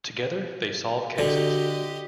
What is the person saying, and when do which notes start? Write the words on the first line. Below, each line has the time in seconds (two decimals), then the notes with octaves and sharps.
Together they solve cases.
1.18 D3 F#4 G4 D5 D#5